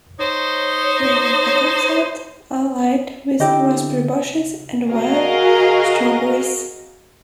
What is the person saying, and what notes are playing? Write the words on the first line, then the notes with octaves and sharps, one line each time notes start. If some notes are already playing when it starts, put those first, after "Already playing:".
Many of the campsites are lined with raspberry bushes and wild strawberries.
D#4 C5 C#5
D3 E4 G4 D#5
F#4 G#4 A#4 D#5 F5